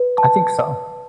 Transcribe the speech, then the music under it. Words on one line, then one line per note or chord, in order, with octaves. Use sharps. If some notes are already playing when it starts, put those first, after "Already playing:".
I think so.
Already playing: B4
A5